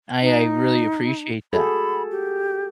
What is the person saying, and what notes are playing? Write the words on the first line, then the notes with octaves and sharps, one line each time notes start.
I I really appreciate that.
D#4
F#4 G#4 A4 B5
G4